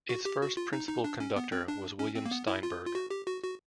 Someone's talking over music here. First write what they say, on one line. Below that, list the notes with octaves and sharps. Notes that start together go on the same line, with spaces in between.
Its first principal conductor was William Steinberg.
F#4
G4
F#4
F4
D#4
D#4
D4
C#4
B3
C4
D4
C#4
C4
A#3
B3
E4
F4
F4
F#4
G4
F#4
F#4